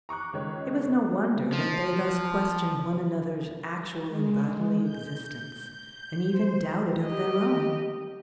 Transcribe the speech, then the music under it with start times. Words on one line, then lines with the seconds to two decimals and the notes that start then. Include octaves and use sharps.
It was no wonder that they thus questioned one another's actual and bodily existence, and even doubted of their own.
0.09 A#5 C#6 D6 F#6
0.33 C#2 D#3 G#3 C#5
1.53 F3
4.07 G#3
4.84 G6
6.31 C5
7.04 G4 D#5